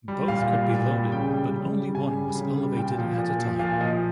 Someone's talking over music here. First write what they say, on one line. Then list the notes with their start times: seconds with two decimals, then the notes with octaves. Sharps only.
Both could be loaded, but only one was elevated at a time.
0.08 G3
0.28 A#2 F5
0.49 G3
0.69 A#2
0.91 G3
1.12 C#3 G5
1.33 G3
1.53 C#3
1.74 G3
1.95 C#3 G#5
2.15 G3
2.35 C#3
2.56 G3
2.77 A#2 G5
2.98 F3
3.18 A#2
3.39 F3
3.59 A#2 F5
3.81 F3 D#5